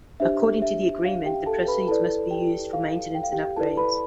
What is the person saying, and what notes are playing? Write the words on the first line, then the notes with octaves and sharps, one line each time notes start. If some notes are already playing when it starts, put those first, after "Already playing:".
According to the agreement, the proceeds must be used for maintenance and upgrades.
D4 G4 C5 E5
E5
F5
G4 G5
A4 A5
B4 B5
E4 A4 B4 D5 A5
G4 G5
F5
G5
F5
G4 G5
E4 A4 B4 D5 A5
B4 B5